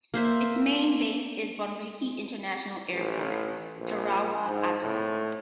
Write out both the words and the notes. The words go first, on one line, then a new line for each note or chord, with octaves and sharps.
Its main base is Bonriki International Airport, Tarawa Atoll.
A#3 C5 E5
A1
A#1
G#2
A2